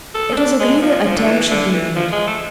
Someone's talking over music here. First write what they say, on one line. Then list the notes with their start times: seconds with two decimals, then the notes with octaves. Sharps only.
It was agreed the attempt should be made.
0.15 A4
0.33 C4
0.37 D4
0.60 G#3
0.82 F3
1.01 G#3
1.05 F3
1.17 D3
1.28 E3
1.51 D3
1.73 E3
1.96 F3
2.12 G#3
2.27 A3